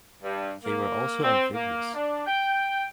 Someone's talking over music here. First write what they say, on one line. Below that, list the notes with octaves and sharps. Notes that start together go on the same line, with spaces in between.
They were also amphibious.
G2
A#3
C4
A#3
D4
G5